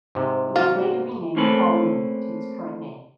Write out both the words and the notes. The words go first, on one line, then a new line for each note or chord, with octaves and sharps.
It was later renamed the following year to its current name.
G#2 C3
F4 F#4
C#4 F#4
A3 A#3 C4 C#4 A4 B4